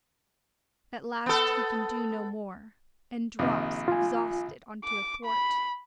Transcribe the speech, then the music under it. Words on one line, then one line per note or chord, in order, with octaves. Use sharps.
At last he can do no more, and drops exhausted on to a thwart.
B3 A4
A#1 C3 D#3
F4 G#5
D6
B5